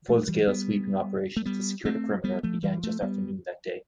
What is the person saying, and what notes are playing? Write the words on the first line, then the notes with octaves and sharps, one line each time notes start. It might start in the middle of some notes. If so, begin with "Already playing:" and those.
Full-scale sweeping operations to secure the perimeter began just after noon that day.
F3 A3
E3 G3
G3 B3
A3
G3 B3
A3 C4
G3 B3
F3 A3
E3 G3
F3 A3
G3 B3